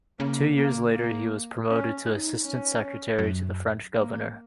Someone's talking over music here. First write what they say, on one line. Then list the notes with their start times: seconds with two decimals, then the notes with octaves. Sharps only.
Two years later he was promoted to assistant secretary to the French governor.
0.19 C#3 A#3
0.57 A#3
0.94 A#3
1.70 C#4
2.07 D#4
2.45 C#4
3.18 F#2
3.94 A#3